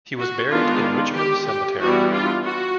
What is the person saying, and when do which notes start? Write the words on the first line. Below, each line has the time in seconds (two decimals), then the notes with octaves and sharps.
He was buried in Richmond Cemetery.
0.18 F#4
0.50 D#3 G#3 B3 D4 F4
1.16 G4
1.47 G4
1.80 E3 G3 B3 D4 F#4
2.13 F4
2.46 F#4